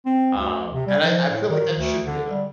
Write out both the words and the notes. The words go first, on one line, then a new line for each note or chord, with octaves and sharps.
Um, and I I feel like that should be enough.
C4
D2
C3
G3
F3
A2
D#3
D2
D3
G3